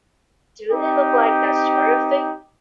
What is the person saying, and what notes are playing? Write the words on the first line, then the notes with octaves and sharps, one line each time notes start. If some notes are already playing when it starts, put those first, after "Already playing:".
Do they look like that sort of thing?
C4 D#4 G4